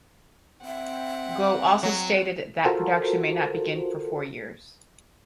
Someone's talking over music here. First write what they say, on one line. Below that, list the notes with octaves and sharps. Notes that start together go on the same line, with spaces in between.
Gwo also stated that production may not begin for four years.
C4 E5 F#5 G5
F#3
F4 F#4 A4 A#4 C5